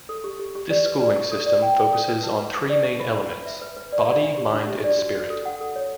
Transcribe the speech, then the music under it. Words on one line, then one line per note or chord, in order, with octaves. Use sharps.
This schooling system focuses on three main elements: body, mind and spirit.
A4
G4
G4
G4
D5
B4
D5
C#6
A4
D5
G5
G5
A4
B4
A5
B4
C#6
D5
C#6
B5
B5
B4
E5
B4
B4
D5
D5
D4
G4
D4
G4
D5
F#4
F#4
A4
F#5
A4
C#5